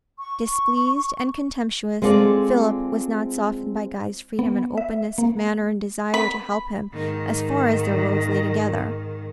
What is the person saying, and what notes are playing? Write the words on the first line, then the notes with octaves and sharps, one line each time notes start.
Displeased and contemptuous, Philip was not softened by Guy's freedom and openness of manner and desire to help him as far as their roads lay together.
C#6
G#3 C4 F4 A4 D5
B3
E5
A#3
B5
G#2 D#3